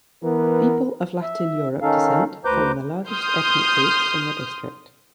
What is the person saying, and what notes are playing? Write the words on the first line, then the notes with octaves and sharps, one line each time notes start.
People of Latin Europe descent form the largest ethnic groups in the district.
E3 B3 A#4
E5
D#3 C#4 D#4 A4 F5
D2 B4 C5 A#5 D6 G6
C6 D#6 F6 G6